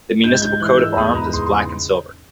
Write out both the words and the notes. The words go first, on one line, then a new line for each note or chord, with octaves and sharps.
The municipal coat of arms is black and silver.
G#2 G6
G#6
G#2 G6
E3 F#6
G#2 E6
E2 D#6
B5
E2 A#5
B5
E2 C6
C6
C#3
C6